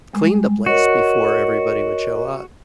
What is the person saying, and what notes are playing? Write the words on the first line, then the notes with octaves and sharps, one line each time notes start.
clean the place before everybody would show up.
G3 G#3
F#4 A#4 C#5 D#5